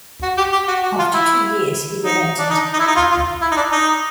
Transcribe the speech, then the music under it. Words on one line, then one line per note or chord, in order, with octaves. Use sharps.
After two years, he relented.
F#4
G4
G4
F#4
F#4
F4
E4
D#4
D4
D#4
D#4
E4
D#4
F4
F4
E4
D#4
D4
D#4